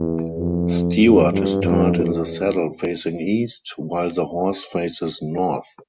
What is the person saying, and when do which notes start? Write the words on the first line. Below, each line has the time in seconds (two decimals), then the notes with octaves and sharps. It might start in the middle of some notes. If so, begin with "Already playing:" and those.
Stuart is turned in the saddle facing east while the horse faces north.
Already playing: E2
0.38 F2
1.01 F2
1.32 G2
1.63 F2
1.95 E2